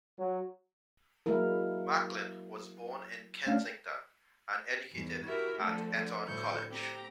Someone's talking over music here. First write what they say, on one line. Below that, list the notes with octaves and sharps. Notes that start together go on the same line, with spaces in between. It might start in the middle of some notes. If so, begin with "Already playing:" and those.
Macklin was born in Kensington, and educated at Eton College.
F#3
F#3 G#3 A#3 E4 A#4
A3 C#4 D4 F5
E2 G#2
E4 F#4 G4 A#4 E5
D3 F3 A3 C4 A4
D3
D2 A2 D3 E4 C#6 G6
C4 G4 A#5